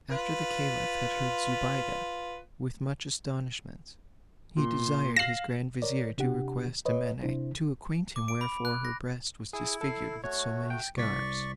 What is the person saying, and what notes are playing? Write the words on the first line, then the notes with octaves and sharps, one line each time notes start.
After the caliph had heard Zobeide with much astonishment, he desired his grand vizier to request Amene to acquaint him wherefore her breast was disfigured with so many scars.
F4 B4
A#2 C6
F5 A#6 C7 E7 F#7
A#4 C#5 D5
C3 D4 G4 F#5
B4 C#5 D#5
C3 D4 E4 C5
D6
D7
B5
F#6
A#6
E4 G#4
A4 C7
A3 F#4 C#5
G5
C2 D5 C#6 B6